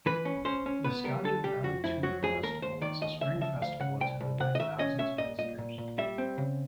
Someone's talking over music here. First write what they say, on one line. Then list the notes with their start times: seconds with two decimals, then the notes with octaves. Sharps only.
The Skagit Valley Tulip Festival is a spring festival attended by thousands of visitors.
0.06 E3 B4
0.25 C#4
0.45 C#4 C5
0.66 C#4
0.84 B3 B4
1.04 G3 A#4
1.24 D3 A4
1.44 G3 G4
1.63 F2 F#4
1.84 F2 E4
2.03 F#3 F#4
2.23 F2 G#4
2.43 D#2 A#4
2.62 D#2 C5
2.81 D#3 D5
3.01 D#2 D#5
3.21 C#3 E5
3.41 F3 E5
3.62 D2 F5
3.80 C#3 F#5
4.00 C2 G5
4.21 C2
4.40 C3 F#5
4.55 D#5
4.59 D#3 E5
4.79 C#4 D#5
4.99 C#4 E5
5.18 A#2 D#5
5.38 A#2 D#5
5.58 A#2
5.78 A#2
5.98 G3 E5
6.18 C4
6.38 C#3